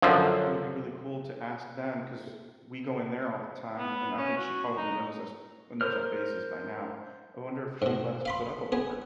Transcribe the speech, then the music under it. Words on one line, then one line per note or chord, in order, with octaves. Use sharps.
it would be really cool to ask them 'cause we go in there all the time, and I think she probably knows us knows our faces by now. I wonder if she'd let us put up a board
F#2 D3 F3
B3
C#4
F#4
D#4
A#4 C5 F6
G#2 B2
F5 B5 C6
B3 G#4